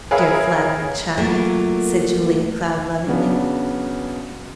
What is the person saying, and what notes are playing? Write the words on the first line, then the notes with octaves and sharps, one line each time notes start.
"Dear, flattering child!" said Julia Cloud lovingly.
G#4 A#4 B4 C#5 E5 F5
F#3 A3 A#3 F4 A#4
C#3 F#3 B3 D4